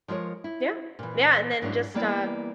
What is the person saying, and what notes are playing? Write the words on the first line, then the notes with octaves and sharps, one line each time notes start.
Yeah. Yeah, and then just, uh,
F3 G#3 F4 A#4 C#5
E4
A#2 E3
G#2 F#3 G#3 C#4 D4 E4
E3 G3 A#3 B3 E4 D5